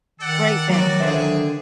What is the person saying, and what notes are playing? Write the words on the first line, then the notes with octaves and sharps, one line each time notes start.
Great film.
D#3 A4 D5 F#5
F#3 F#4 D5
D3 G#4 C5 E5